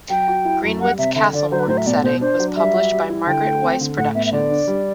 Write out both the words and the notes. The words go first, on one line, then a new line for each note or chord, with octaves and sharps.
Greenwood's "Castlemourn" setting was published by Margaret Weis Productions.
F#3 G5
F#4
E4
F#2
G3 F#5
C3 E5
D3 E5
D3 D5
F#3 C5
B4
A2 C5
E5
B2 D5
B2 C5
D4 C5
F#3
G3 E5
F#4
G3
E4
D3 G5
A3
C4
D3
A2 F#5
B3 E5
E5
D3 D5
D4
G3